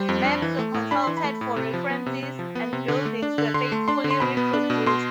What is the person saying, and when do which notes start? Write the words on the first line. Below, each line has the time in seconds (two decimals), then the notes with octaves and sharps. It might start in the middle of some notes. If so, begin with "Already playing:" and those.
Maps were consulted for references and buildings were faithfully reproduced.
Already playing: G3 C5
0.09 F2
0.25 D4
0.42 E3
0.59 A3
0.74 A2
0.91 D4 B5
1.04 E3 C6
1.17 B5
1.24 A3
1.41 A2
1.56 C3
1.74 F3
1.90 B3
2.06 C3
2.23 C3
2.39 F3
2.55 B3
2.73 C3
2.88 D3
3.05 A3
3.22 D4
3.38 D3
3.54 D3 C6
3.72 A3
3.88 D4 C6
4.04 D3
4.11 C6
4.20 B2 B5
4.37 B3
4.53 D4
4.70 B2
4.86 B2 C6